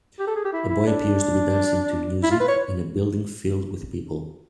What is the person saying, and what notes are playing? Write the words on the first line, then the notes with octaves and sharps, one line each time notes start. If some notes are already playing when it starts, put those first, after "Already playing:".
A boy appears to be dancing to music in a building filled with people.
G4
A4
G#4
G4
E4
E4
D4
E4
F4
B4
C#5